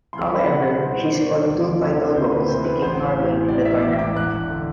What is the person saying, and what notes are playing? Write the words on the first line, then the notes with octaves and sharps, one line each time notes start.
However, she scored two vital goals to keep Norway in the tournament.
C2 C6
B5
B2 F#5
F#5
C2 C5
C5
B2 D5
D5
D2
C3 E3
D2 C5
B4
C3 E3 C5
B4
A1 C5
A2 E3
A1 D5
E5
A2 E3 D6
D6
E1 F#6
D3